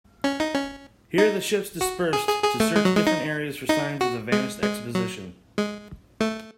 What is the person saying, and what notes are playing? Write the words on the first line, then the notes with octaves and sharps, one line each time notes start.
Here the ships dispersed to search different areas for signs of the vanished expedition.
C#4
D#4
C#4
D#4
F#4
G#4
G#4
G#4
A3
G#3
F#3
G#3
D#4
D#4
F#4
G#3
G#3
F#3
G#3
A3